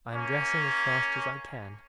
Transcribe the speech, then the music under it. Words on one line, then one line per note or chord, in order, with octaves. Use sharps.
I am dressing as fast as I can.
A#3 C#4